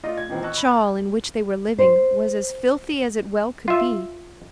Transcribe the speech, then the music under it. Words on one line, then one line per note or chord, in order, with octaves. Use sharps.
The chawl in which they were living was as filthy as it well could be.
A3 F4 D5 D#5
G#6
A#2 D#3 E3 B3 C4
D#5 A5 C#6 E6 F#6
B5
A5
C5
F4 E5